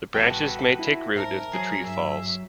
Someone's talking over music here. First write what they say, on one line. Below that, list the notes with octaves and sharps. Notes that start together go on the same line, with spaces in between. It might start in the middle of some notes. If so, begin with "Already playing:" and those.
The branches may take root if the tree falls.
A1 G3 B3 F#4 A4 B4 G5
E4
G#2 A#4 C5 E5 A5
F#3 G#4
G2 E5